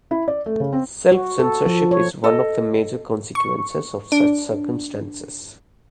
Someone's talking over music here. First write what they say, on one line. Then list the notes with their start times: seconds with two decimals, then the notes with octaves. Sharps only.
Self-censorship is one of the major consequences of such circumstances.
0.11 E4
0.28 D5
0.46 A3
0.60 C#3
0.73 C4
1.11 F#4
1.39 A4
1.66 F3
1.91 C#5
2.24 A4 D#5
3.35 C#6
4.12 D4